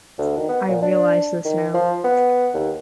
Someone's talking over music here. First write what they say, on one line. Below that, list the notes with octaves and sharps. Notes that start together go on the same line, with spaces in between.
I realize this now.
D2
D#3
B3
A#2
D4
D#3
F3
B3
D#2